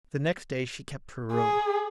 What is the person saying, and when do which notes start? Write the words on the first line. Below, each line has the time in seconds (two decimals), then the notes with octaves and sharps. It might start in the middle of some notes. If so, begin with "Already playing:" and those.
The next day she kept her room.
1.32 G#4